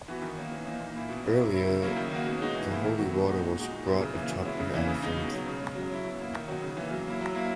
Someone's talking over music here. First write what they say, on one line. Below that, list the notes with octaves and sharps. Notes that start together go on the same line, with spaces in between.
Earlier the holy water was brought atop an elephant.
E3 B3 F#4
D#3
A#3 C#4
E3
A#3 D#4
A#2
A#3 E4
B2
F#3 C#4 E4
F#3
C#4 E4
C#3
F#3 A#3 C#4 E4
D#3
A#3 C#4 F#4
B2
G#3 D#4 F#4
E3
A#3 E4
D#3
F#3 B3 F#4
A#2
G#3 D#4 F#4
A#2
G#3 D#4 F#4
A#2
F#3 B3 E4
C#3
E3 A#3
B2
G#3 C#4 E4
C#3
E3 A#3 E4
C#3
G#3 D#4
B2
F#3 C#4
C#3
G#3 C#4
F#3
C#4 E4
B2
A#3 E4
D#3
F#3 C#4 F#4
C#3
E3 A#3
F#3
A#3 E4
F#3
A#3 E4